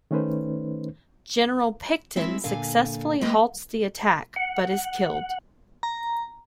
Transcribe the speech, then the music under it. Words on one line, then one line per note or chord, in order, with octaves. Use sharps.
General Picton successfully halts the attack but is killed.
D#3 A3 C#4 D#4 B4 C5
G#3 C4 E4 E5
A#2 D3 F5 G#5
G#3 A#3 C4 B4 D#5 G5
F#5
A#5